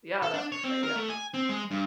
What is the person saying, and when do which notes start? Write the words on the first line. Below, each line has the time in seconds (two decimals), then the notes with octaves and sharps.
Yeah, that's a good idea.
0.22 A4
0.34 D4
0.52 C#5
0.64 C4
0.83 A#4
0.96 A3
1.10 G#5
1.34 C4
1.49 G#3
1.71 G2